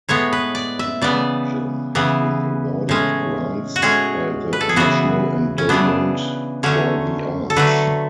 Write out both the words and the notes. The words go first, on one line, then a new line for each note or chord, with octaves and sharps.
The Art Gym has been awarded grants by the National Endowment for the Arts.
A2 G#3 B3 C#5
B4
D5
E5
C#3 E3 B3 D5
C#3 E3 B3
A2 G#3 C#4
F#4
A2 G#3 C#4 G#4
B4
A4
G#4
C#3 E3 B3 F#4
C#4
C#3 E3 B3 D4
D3 F#3 A3 C#4
A4
D3 F#3 A3 B4